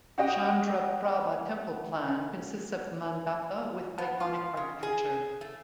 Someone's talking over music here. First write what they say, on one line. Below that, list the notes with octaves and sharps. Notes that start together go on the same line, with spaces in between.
Chandraprabha temple plan consists of the mandapa with iconic architecture.
F#4 G4 D#5 G5
B3
F4
C#3
G#4
A3